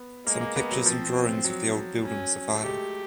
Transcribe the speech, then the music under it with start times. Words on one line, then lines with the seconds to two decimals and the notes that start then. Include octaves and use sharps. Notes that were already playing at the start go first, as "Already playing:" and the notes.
Some pictures and drawings of the old building survive.
Already playing: B3
0.26 G#3 A#3
0.41 A#3
0.56 B3
0.71 F#3
0.85 F3 C4
1.45 F#3
2.04 C#4
2.55 A3
2.63 G#3 G4